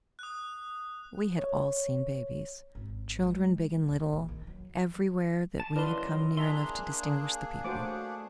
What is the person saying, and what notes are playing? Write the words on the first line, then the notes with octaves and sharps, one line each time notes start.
We had all seen babies, children big and little, everywhere that we had come near enough to distinguish the people.
D#6 F#6
C#5
G#1
G#3
D2
A#1
D#3
F#3
F3
A5
C#3 F#3 E4 A#4 B4 D5 D#5 C6
A#3 D4 G#4 E5 A#5 C6
A3 F#4 C5 D6